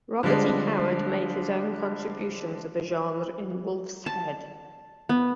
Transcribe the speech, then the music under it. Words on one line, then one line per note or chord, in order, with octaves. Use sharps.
Robert E. Howard made his own contribution to the genre in "Wolfshead".
D3 F3 G3 G#3 D4
A5
B3